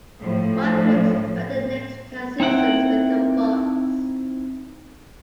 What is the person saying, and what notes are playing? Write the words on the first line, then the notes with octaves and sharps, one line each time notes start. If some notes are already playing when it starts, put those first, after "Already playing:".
Moncrief spent the next ten seasons with the Bucks.
A2 F3
C4 D#4 E4 F#5 G5